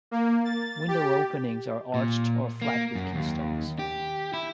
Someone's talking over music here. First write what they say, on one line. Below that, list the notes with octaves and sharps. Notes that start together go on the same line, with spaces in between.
Window openings are arched or flat with keystones.
A#3
A6
G4
A#2
A#3
F#2
D#2
G4
E4